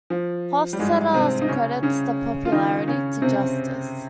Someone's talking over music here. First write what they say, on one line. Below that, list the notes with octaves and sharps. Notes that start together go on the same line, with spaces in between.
Hofstetter credits the popularity to justice.
F3
G3
G#2 G#3
C3 C4
D#4
C#3 C#4
C#3 C#4
F4
D#3 D#4
C#3 C#4
C3 C4